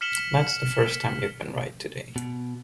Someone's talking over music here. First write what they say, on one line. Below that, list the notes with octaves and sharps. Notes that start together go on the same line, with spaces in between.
That's the first time you've been right today.
F6 B6 C#7 E7 F#7 G7
B2